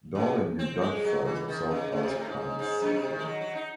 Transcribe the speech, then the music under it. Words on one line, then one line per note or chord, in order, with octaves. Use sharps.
Darling identifies herself as pansexual.
C#3
C4
G#3
F#3
E3
D#3
C#3
C#3
C3
A2
G#2
G#2
G#2
F#2
C3
D#3
G#3
F#3
F#3
D#4